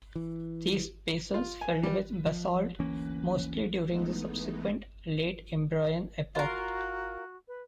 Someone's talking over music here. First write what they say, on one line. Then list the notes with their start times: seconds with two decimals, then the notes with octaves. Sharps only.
These basins filled with basalt mostly during the subsequent Late Imbrian epoch.
0.16 E3
1.34 F4
1.61 G#5
1.83 G3
2.26 F3
2.79 D2 E3 A#3 C#4
3.87 E3 G#3 A3 B3 D#4
6.35 F4 F#4 A#4
7.48 B4